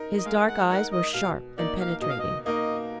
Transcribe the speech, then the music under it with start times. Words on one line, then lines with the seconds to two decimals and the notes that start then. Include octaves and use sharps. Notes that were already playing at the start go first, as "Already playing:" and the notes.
His dark eyes were sharp and penetrating.
Already playing: D#4 A#4
0.18 D#5
0.25 G#3 F5
0.48 F#5
0.70 D#4 A#4 F#5
0.92 D#5
1.13 B2 F5
1.58 A#3 D#4 A#4 D5
1.80 F5
2.01 B2 D#5
2.10 F5
2.19 D#5
2.46 A#3 D#4 A#4 D#5